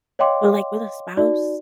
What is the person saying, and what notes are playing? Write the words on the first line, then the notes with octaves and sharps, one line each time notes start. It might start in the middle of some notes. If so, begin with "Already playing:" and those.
but, like, with a spouse,
C#5 D#5 F5 G5 C6 D6
D#4 F#4 D5